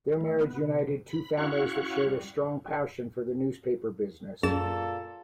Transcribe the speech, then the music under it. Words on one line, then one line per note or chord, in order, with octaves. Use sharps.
Their marriage united two families that shared a strong passion for the newspaper business.
E3 A3
B3
C3
B5
C#4 E4 F#4 F5 F#5 C#6
G3
F#2 A#2 G#4 A4 A6 E7